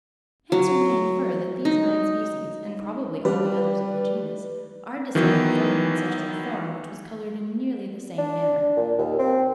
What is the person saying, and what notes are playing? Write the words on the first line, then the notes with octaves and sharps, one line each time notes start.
Hence we may infer that these nine species, and probably all the others of the genus, are descended from an ancestral form which was coloured in nearly the same manner.
F#3
D#4
G3 B4 D5
D#3 E3 F#3 B3
D4
A#2
D#2
C4